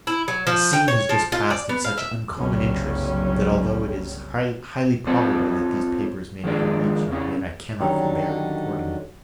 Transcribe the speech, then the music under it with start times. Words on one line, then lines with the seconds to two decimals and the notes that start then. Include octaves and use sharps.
A scene has just passed of such uncommon interest that, although it is highly probable that these papers may never reach you, yet I cannot forbear recording it.
0.07 E4
0.28 F#3
0.47 F3
0.73 G5
0.88 C#5
1.09 F3
1.32 F4
1.50 D5
1.69 B3
1.85 F5
1.97 E5
2.37 F#1 C2 G2 F#3 G3 C#4
5.07 C4 F4 A4 C5 C#5
6.44 D#3 F3 G#3 D4 A#4 D5
7.08 C#3 E3 C#4
7.80 D3 D#3 F#3 G3 C#4 D4